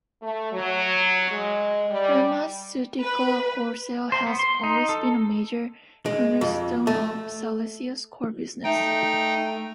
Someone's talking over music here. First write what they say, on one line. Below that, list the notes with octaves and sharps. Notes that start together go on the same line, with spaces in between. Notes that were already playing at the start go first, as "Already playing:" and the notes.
Pharmaceutical wholesale has always been a major cornerstone of Celesio's core business.
A3
F#3
G#3
G3
B4
C5
B3
C6
D#4
A4
G#3
F2
A3
A3 D#4 G5